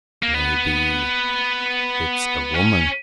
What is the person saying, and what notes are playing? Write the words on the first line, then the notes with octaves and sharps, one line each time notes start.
Maybe it's a woman.
A#3
B3
C#4